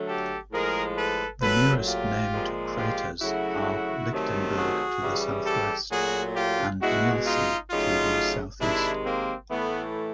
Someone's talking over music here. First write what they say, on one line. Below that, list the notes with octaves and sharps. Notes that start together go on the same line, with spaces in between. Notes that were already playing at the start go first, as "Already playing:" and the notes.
The nearest named craters are Lichtenberg to the southwest and Nielsen to the southeast.
Already playing: D3 F#3 A3
G4 A4
A2 F3 G#3 G#4 A#4
A4 B4
A#2 F#3 A3 A4 B4
F4 G4
A#2 F3 G#3
F4 G4
C#3 F#3 A3 E4 F#4
C3 D#3 F#3 A3
F#4 G#4
C#3 E3 G3
G4 A4
A#2 F#3 A3 F#4 G#4
F4 G4
B2 G#3 E4 F#4
D#4 F4
C#3 F#3 A3 D#4 F4
C3 D#3 G#3 D4 E4
A#3 C4
A2 E3 A3 B3